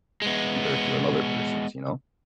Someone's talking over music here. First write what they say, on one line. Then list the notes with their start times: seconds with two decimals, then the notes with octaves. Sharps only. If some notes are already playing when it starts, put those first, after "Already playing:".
compared to another person's, you know.
0.22 G#3 B3